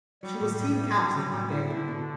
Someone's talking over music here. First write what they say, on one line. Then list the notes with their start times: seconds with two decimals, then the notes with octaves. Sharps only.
She was team captain in that game.
0.22 F#3 G3
0.41 A2
0.59 A2
0.77 A2
0.96 F#3
1.15 F#3
1.34 A2
1.51 E4
1.69 D3 E4
1.88 B2